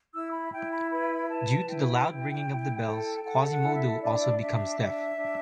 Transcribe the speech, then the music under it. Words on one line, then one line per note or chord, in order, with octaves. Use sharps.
Due to the loud ringing of the bells, Quasimodo also becomes deaf.
E4 E6
B5
E4 G5
B5
B4 B5
B4 A5
E4 G5
E4
E4
A4
A4 F#5
E5
F#5
E4
E5
D4 D5
D4 E5
D4
D4